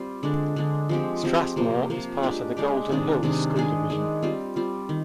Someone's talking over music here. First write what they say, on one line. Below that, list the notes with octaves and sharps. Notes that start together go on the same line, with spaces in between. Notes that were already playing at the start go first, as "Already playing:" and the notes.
Strathmore is part of the Golden Hills School Division.
Already playing: G3 C4 F4
D3 G#3 D4
D3 G#3 D4
F3 G#3 C4 G4
F3 G#3 C4 G4
C3 F3 A#3
C3 F3 A#3
G#3 D4 G4
G#3 D4 G4
C3 D#3 G#3 D4
C3 D#3 G#3 D4
D#3 G#3 D4 G#4
D#3 G#3 D4 G#4
G3 C4 F4
G3 C4 F4
D#3